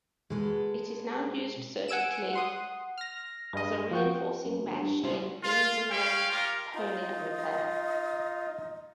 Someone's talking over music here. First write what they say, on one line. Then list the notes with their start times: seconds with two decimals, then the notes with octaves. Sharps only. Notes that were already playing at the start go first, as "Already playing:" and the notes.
It is now used surgically as a reinforcing mesh in inguinal hernia repair.
0.30 B2 G#3 A4 B4
1.88 F#5 G#5 E6 D7 E7
2.33 F#5 C6 D#6
2.98 F6 A#6
3.53 G2 G#3 D#5
3.91 F3 F#4 G5
4.45 F#2
4.64 G1
4.80 G2
5.04 C#2 E4 C5
5.44 F4
5.90 C#4 F5 G5
6.29 F4 G4 A#4
6.74 D#4 F4 D#5